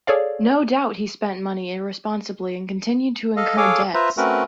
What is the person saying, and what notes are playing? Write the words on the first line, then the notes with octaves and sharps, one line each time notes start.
No doubt he spent money irresponsibly and continued to incur debts.
G#4 A4 C#5 D5 F5
A4 D#5 F5
G#4 A4 C#5 F5 G#5 D6
F4 B4 C5 E5 A#5
A3 C4 C#4 F#4 A#4 B4